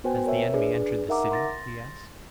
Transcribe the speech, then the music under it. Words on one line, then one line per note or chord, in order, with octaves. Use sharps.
"Has the enemy entered the city?" he asked.
B3 F#4 B4 C5 G5 G#5
A#4 C#5 E5
D4 G#4 B4 D5
D#4 A#4 E5 F#5 A#5 D6
C6 A6 A#6